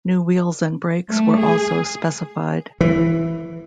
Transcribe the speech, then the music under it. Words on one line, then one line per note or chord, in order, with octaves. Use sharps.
New wheels and brakes were also specified.
A3
G#4
E3